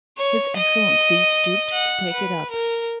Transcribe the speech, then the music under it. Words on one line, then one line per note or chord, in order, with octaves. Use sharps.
His Excellency stooped to take it up.
C#5
D#5
F#5
B4
A#4